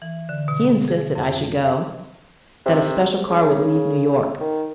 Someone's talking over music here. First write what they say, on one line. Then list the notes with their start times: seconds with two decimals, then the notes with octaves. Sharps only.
He insisted I should go--that a special car would leave New York.
0.02 E3
0.29 D3
0.48 B2
0.88 G#4
1.15 F2
2.66 C3
3.29 C#3
4.40 D#3